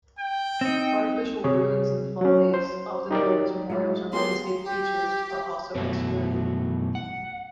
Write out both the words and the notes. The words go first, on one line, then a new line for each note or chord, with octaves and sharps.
Artificial ruins and follies, often built as memorials or landscape features, are also excluded.
G5
C4 D#4
C3 G#4 C#5
F#3 C#4
C5
D#4 G4 A#4 D5
G#3 E4 F4 G4
B3 F4 G4 G#4 A#4 C6
G4
F#2 B2 E3 G3 A3 F#4
F#5